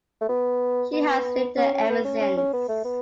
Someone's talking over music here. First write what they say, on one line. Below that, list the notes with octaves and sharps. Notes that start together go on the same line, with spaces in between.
She has lived there ever since.
A3
B3
B3
C#4
C#4
B3
C#4
C#4
C#4
B3
A3
B3